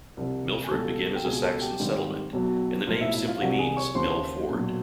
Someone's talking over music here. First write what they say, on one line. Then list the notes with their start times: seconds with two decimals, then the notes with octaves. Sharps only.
Milford began as a Saxon settlement, and the name simply means "mill ford".
0.17 C2 C3 F3
0.64 G#5
0.71 C#2 B2 G3 A4 A5
1.16 G5
1.25 C#2 B2 G3 G#4 G#5
1.43 A4 A5
1.61 G4 G5
1.79 G#1 G#2 D#3 G3
2.33 B1 B2 F#3
2.87 B1 A2 F3 F4 F5
3.01 E4 E5
3.14 E4 E5
3.28 F4 F5
3.41 C2 C3 F3 F#4 F#5
3.59 G#4 G#5
3.77 C#5 C#6
3.95 D#2 C#3 F3 C5 C6
4.49 B1 A#2 F#3